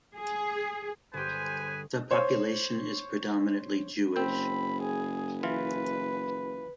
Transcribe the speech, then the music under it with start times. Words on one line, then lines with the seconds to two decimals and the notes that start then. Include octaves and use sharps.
The population is predominantly Jewish.
0.16 G#4
1.14 G1 G4 G#4 B4 C5 G#5
2.11 C5 C#5
4.16 F#1 C4 C5 B5
4.82 G#4
5.43 E3 F4 B4